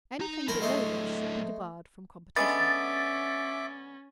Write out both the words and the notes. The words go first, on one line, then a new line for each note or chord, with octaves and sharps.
Anything below this should be debarred from competition.
D#4 A#5
A2 F#3 A#4 C5 B5
G#3 A3 C5
D3 G#3 B3 C#4 E5 D6 A6